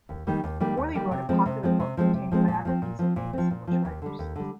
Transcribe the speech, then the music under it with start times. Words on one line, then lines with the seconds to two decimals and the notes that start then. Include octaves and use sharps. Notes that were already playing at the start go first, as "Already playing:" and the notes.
Morley wrote a popular book containing biographies of famous English writers.
0.09 D#2
0.27 D#3 G3 A#3
0.44 D#2
0.60 D#3 G3 A#3
0.77 D#2
0.95 D#3 G3 A#3
1.11 C3
1.29 F3 G#3 C4
1.46 C3
1.63 F3 G#3 C4
1.80 C3
1.97 F3 G#3 C4
2.14 C3
2.32 F3 G#3 C4
2.48 A#2
2.65 F3 C4
2.82 A#2
2.99 F3 C4
3.16 A#2
3.33 F3 C4
3.51 A#2
3.67 F3 C4
3.85 D#2
4.02 D3 G3
4.19 D#2
4.36 D3 G3